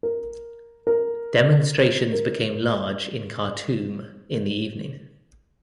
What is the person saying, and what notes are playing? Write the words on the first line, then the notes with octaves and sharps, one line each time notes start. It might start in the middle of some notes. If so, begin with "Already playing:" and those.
Demonstrations became large in Khartoum in the evening.
A#4
A#4
A#4